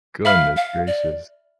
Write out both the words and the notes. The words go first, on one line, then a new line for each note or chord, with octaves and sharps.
Goodness gracious.
E5 F5 B5 F6
F5
D5